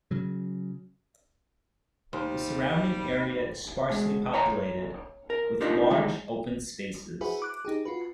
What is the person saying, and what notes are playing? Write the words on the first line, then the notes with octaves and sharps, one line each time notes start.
The surrounding area is sparsely populated, with large open spaces.
C#3 F#3
D#2 G3 C5
B2 G#3
C#5 G5 A#5 C6
A#4
D4 D#4 F4 G4 A#4 D5
D#3 E3 G3 G#3 D#4
E4 F#4 G#4 B4 C5 E5
D6 F#6
D#4 G4 G#4
F4 F#4 B4